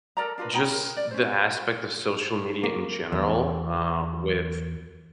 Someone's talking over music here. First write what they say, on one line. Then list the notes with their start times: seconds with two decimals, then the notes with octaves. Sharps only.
just, the aspect of social media in general, uh, with
0.17 A4 A#4 D5 A#5
0.38 D4 F4 A#4 B4
0.53 D#4 G5 A#5 B5
0.71 A#4
0.97 D5
1.11 C#4 C5
2.64 A#3
3.12 E2